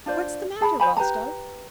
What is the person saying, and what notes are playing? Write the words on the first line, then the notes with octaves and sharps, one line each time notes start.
What's the matter, Rostov?
D4 F4 C5 D5
G#4 A5 B5
C5 G#5 B5
G4 B4 A5 A#5